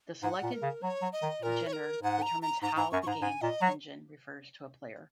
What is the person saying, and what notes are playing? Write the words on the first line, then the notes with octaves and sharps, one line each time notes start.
The selected gender determines how the game engine refers to a player.
G#2 F#5
A#2
A#4
C#3
F#3 C#5
F#3
D#5
D#3
A#2 A#4
C#5
A#4
G#2 F#5
A#5
A#5
G#2 A#5
G#2 A#5
F#2 C#6
C#6
G#2 A#5
G#2 G#5
A#2 D#5
F#3 C#5